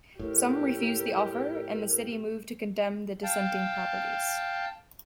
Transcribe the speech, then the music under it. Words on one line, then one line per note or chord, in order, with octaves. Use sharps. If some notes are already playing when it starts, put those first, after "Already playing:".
Some refused the offer, and the city moved to condemn the dissenting properties.
A2 G4 A4 A#4
F5 G5 A5